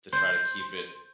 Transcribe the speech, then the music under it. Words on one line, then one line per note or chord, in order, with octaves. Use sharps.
to try to keep it,
C5